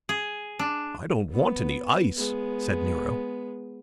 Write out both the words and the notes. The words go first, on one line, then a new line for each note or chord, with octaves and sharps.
"I don't want any ice," said Nero.
G#4
D4
B3
G#3 B3